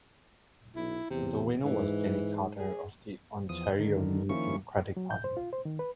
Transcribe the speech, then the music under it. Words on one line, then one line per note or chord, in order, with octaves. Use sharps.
The winner was Jenny Carter of the Ontario New Democratic Party.
B1 E4
E2 C3
G#2 E3
G#4
E2 F3 D#6
D3 D#3
D#3 F3 A#3 C#4 E4 C#6
F#3
G6
C5
F4
C5
D#3
B4